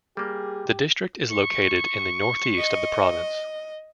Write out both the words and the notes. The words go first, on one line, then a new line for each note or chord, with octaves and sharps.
The district is located in the northeast of the province.
G3 A#3 G4 G#4
C#6
D#5